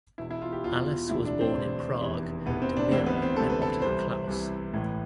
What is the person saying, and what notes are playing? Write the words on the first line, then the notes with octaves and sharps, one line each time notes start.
Alice was born in Prague to Mira and Otto Klaus.
E1 E2 B2 E4
E4
F4
G4
E1 E2 B2 F4
E1 D2 C3 E3 E4
D4
C4
E1 D2 C3 E3
F1 E2 C3 E3
F1 E2 C3 E3 B3
C4
D4
D2 C3 E3 C4
B3
C4
D2 C3 E3 A4
B4
A4
C2 C3 E3 C5
C2 C3 E3
A1 A2 E3